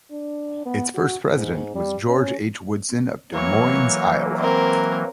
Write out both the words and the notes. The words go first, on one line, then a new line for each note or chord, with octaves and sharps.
Its first president was George H. Woodson of Des Moines, Iowa.
D4
B3
F#4
G#2
G3
C#4
E3 F#3 A#3 C#5
C4 A#4